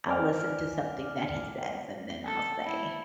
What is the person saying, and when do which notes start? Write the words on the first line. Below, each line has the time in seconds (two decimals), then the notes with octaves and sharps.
I'll listen to something that he says, and then I'll say,
0.08 D5 G#5 D6 F6
2.27 A4
2.66 E4